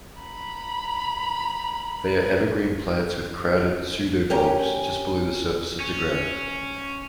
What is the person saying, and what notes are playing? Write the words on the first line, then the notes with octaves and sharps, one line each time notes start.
They are evergreen plants with crowded "pseudobulbs" just below the surface of the ground.
A#5 B5
C#4 G4 A#4
C#4